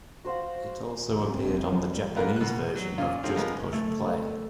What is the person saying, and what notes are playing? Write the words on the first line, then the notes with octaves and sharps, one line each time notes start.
It also appeared on the Japanese version of "Just Push Play".
F#4 C5 F5 F#5
D#1
G2
C4
F1
F2
F3
G3
E3 A3 B3 F4 A#4 F#6
B2 F#6
F#3
A#2 C#4 F4
D3 F3 C4
F3 G#3 B3 A#4
A3